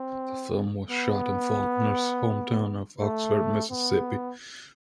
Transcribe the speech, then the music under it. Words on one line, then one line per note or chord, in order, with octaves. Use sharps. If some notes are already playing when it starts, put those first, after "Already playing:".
The film was shot in Faulkner's home town of Oxford, Mississippi.
Already playing: C4
B3
A3
B3